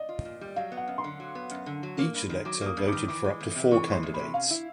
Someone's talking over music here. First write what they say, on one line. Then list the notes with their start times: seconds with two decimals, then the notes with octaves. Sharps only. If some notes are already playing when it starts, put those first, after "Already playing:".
Each elector voted for up to four candidates.
Already playing: D5 D#5
0.09 F4
0.25 A#2
0.41 G3
0.56 F#3 F5
0.72 B3
0.77 F#5
0.88 F#2
0.98 C6
1.04 D3
1.20 F#3
1.35 B3
1.51 F#2
1.66 D3
1.83 F#3
1.98 A#3
2.14 G2
2.29 D#3
2.45 F#3 D6
2.61 A#3
2.66 D#6
2.77 G2
2.88 D#3 D6
3.08 E3 D6
3.24 G#3
3.41 E2
3.56 C3
3.71 E3 C#6
3.88 G#3 C6
4.03 E2
4.14 C3 B5
4.34 C#4 F5
4.50 E4